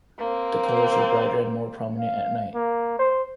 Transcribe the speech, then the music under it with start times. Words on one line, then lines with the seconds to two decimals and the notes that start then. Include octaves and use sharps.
The colors are brighter and more prominent at night.
0.18 A#3 C4
1.98 F5
2.54 A#3
2.99 C5